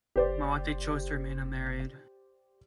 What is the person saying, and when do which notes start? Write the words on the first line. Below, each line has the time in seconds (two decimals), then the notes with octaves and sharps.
Mayawati chose to remain unmarried.
0.16 F#1 G4 C5 D5